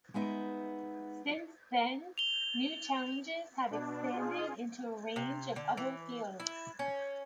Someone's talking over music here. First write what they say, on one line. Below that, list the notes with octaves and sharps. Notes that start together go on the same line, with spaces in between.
Since then, new challenges have expanded into a range of other fields.
G#3 B3 D#4 E5
F7 G7
B2 D4
F4 G#4
C3
D3
E3
E4
C#4